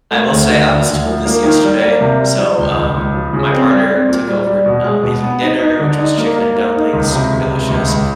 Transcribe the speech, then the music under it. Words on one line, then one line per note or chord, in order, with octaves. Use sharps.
I will say I was told this yesterday. So, um, my partner took over, uh, making dinner, which was chicken and dumplings, super delicious
A3
D2
D3
D2
D2
F3
A#3
D#3
G3
A#3
C3
G3
F3
C#2
C#2
C#2
F3
C#3
C4
G3
C4
A#2
G3
G3
B2
G#3
B2
B3
D#4
D#4
D3
D#4
A#3
A#3
A#3
D#4
C#2
C3
C#2
C3
C#2
C#2